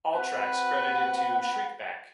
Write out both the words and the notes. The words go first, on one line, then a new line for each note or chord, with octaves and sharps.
All tracks credited to Shriekback.
C4 F#4 B4 F#5